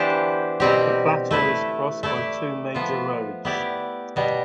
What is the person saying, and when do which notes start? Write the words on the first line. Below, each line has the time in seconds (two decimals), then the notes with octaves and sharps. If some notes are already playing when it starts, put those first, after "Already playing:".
The plateau is crossed by two major roads.
Already playing: E3 B3 D4 G4 C5
0.60 B2 G3 C4 G4
1.31 A3 E4 B4
2.03 A3 E4 A4 D5
2.75 F3 B3 F4
3.45 B3 E4 G4 D5
4.16 B2 G3 B3